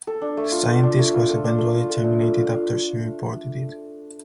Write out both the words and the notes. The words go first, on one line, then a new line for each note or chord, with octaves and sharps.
The scientist was eventually terminated after she reported it.
A4
D4
A3
F4
A4
D4
A3
F4
A4
D4
A3
F4
A4
D4
A3
F4
F5